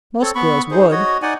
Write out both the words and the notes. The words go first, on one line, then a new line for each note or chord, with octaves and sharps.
Most girls would.
C4 A4 C#5
B3 B5 C#6
D#4 G#4 C5
F#4 C#5 D#5
D#4 D5 F#5 G#5